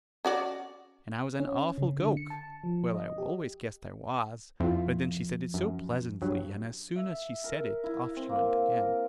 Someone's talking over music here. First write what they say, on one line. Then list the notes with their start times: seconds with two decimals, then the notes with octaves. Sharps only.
And I was "an awful gowk!" Well, I always guessed I was; but then she said it so pleasantly, and as soon as she said it off she went again.
0.25 C#4 F#4 D5
1.40 C#4
1.78 C#3
1.99 D3
2.17 C#7
2.30 A5
2.64 F3
2.95 D#5
3.18 G4
4.60 F2 E4 F4
5.54 F#2
6.22 G2 F#3
6.96 E5
7.44 A#4
7.84 E4
8.17 C4
8.29 A#3
8.79 A#4